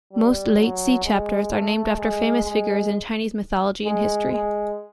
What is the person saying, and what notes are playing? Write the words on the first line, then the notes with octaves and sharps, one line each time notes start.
Most "Liezi" chapters are named after famous figures in Chinese mythology and history.
G3
F#3
G#3
A3
G#3
G#3
G#3
G#3